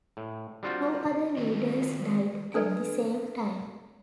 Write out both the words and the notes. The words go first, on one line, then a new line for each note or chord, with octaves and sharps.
Two other leaders died at the same time.
A2
G3 C4 D4 F4 F#4 C5
D#3 C4 F4 F#4
D4 A4 B4 D5